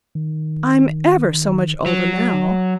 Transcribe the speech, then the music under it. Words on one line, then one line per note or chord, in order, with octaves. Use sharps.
I'm ever so much older now....
D#3
F#3